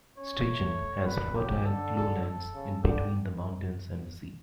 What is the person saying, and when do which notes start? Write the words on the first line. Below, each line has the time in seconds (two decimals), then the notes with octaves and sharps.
Steigen has fertile lowlands in between the mountains and the sea.
0.18 C#4 C#5
0.47 A3
1.06 G3 B4
1.36 F#3 G4
1.65 D3 A4
1.95 A4
2.24 A4
2.54 C#3
2.83 D3 G4